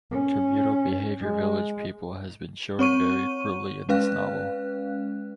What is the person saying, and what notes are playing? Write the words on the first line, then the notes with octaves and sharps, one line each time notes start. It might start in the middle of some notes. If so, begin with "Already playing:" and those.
Communal behavior village people has been shown very cruelly in this novel.
C#4
G#3
C4 C#5 C#6 D#7
G#3 C#4 B4 F5 F#6